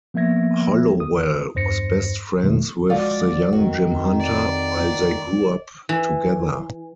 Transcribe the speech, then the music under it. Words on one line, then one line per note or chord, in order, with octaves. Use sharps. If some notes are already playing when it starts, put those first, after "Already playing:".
Hollowell was best friends with the young Jim Hunter while they grew up together.
F3 A#3 B3 E5 G#6 A#6
D#6
E2 G2 C5 A#6 C#7
F2 B2 D#3 A3
F3 G#3 F4 F#4 D5
F2 D#3 F#4
D5
E3